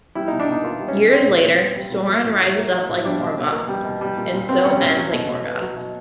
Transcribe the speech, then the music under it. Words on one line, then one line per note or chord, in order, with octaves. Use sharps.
Years later, Sauron rises up like Morgoth, and so 'ends' like Morgoth.
G3 E4
B2 D#4
D4
B2 D#4
A#3 F4
G3
C#4
B2
G3 C4
A#2
A#2
B3
G3
A#2
F#3
A2
A2
A#3
F#3
A2
G3 D4
B2
B2
A#3
G3
B2
G3
A#2
A#2
B3 C4
G3 C#4
A#2 C#4
F#3
B2
B2
B3
F#3
B2